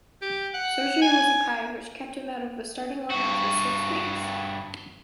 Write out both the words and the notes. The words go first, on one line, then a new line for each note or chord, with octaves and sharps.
Surgery was required which kept him out of the starting lineup for six weeks.
G4
F#5
G#5
G2 F#4